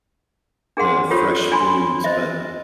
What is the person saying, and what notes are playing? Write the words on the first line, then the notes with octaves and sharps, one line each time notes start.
the fresh foods, but
D4 G#4 A#4 F#5 C6
F4 G4 A4 C5 C#5
D4 G#5 B5 C6
C5 D#5 E5